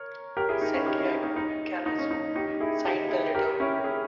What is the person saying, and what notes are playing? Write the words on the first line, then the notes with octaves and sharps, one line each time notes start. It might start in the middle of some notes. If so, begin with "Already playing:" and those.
Santiago Collazo signed the letter.
Already playing: A#4 C#5
G4 A#4
E4 G#4
D#4
C#4 E4
D#4 G4
C#4 E4
D#4
D#4
D#4
C#4
D#4
D#4 G4
E4 G#4
D#4 G4
E4 G#4
G4 A#4
C#4 E4
E4 G#4